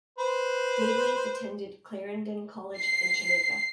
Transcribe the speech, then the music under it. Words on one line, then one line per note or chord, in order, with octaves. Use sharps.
Daley attended Clarendon College in Jamaica.
B4 C5
C7